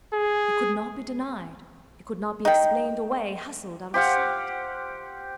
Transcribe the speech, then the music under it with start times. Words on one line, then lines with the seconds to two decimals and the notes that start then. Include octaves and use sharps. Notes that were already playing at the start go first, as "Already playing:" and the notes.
It could not be denied; it could not be explained away, hustled out of sight.
0.13 G#4
2.45 D#4 G5
3.94 G4 C5 F5 F#5